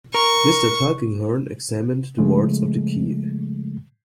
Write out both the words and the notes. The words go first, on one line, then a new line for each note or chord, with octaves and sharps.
Mr. Tulkinghorn examined the wards of the key.
A#4 C#6
C#3 F3 G#3 A3